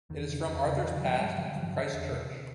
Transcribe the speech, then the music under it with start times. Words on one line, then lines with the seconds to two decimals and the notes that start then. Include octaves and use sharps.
It is from Arthur's Pass and from Christchurch.
0.10 E2 D#3
0.28 C#3
0.47 E2
0.66 C#3
0.83 E2 D3 E3
0.93 D#3 F3
1.02 C#3 F#3 G#3
1.10 F3 G3
1.20 G2 F#3 G#3
1.38 D3 F3 G3
1.51 F3
1.57 G2 E3 F#3
1.75 D3
1.93 E2
2.11 C3